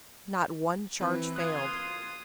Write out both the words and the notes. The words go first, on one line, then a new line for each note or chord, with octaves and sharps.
Not one charge failed.
E3 C4 B4
F4 C6 D#6 F#6 G#6